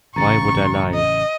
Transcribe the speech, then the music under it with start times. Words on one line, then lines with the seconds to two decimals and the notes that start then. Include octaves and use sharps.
Why Would I Lie?
0.16 A1 C#3 A#5 C#6 A6 C#7
0.94 D#5